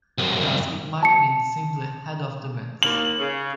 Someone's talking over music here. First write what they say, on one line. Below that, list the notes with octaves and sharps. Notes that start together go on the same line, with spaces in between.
Thus it might mean simply 'Head of the Winds'.
C2 F#2
A5 C#7
D#2 A#3 F#7
C#3